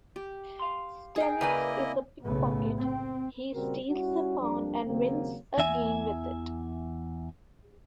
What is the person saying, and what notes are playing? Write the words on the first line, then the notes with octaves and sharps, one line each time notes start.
Steinitz is a pick-pocket, he steals a pawn and wins a game with it.
G4
F5 C6
G#4 A#4 G5
C#3 A#3 E4 B4 D5 D#5 G#5 A#5
C3
B1 A2 C#3 A3 B3
C4
A#2 C#3 G3 C4 F#4 A#4
G3 C#4 E4 F#4
F2 G3 A#3 D4
D#2 C#3 F#3 A#3 C4
E2 E3 E5 G#5